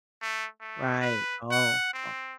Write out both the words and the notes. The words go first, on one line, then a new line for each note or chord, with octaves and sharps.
Right oh, oh
A3
A3
B4
F#5
C4